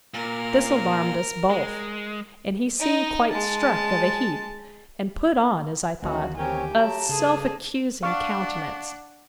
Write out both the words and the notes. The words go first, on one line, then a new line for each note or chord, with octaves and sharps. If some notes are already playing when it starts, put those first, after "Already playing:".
This alarmed us both; and he seemed quite struck of a heap, and put on, as I thought, a self-accusing countenance.
A#2 A#4
G#3
D#4 D#5
G#3 A5
D2 D#3 E3 G#3 A3 C#4 F#4
C4 G4 A#4 C#5 G#5
F#3 A3 A5 A#5
G2 C#3 G#4 A4
D4 F5 F#5 C#6 F6